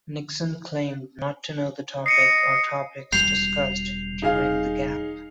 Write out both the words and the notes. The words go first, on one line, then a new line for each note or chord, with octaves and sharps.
Nixon claimed not to know the topic or topics discussed during the gap.
D#5 C7 C#7 D#7
E1 G3 G6 C7 F7
D#4 G#4 F5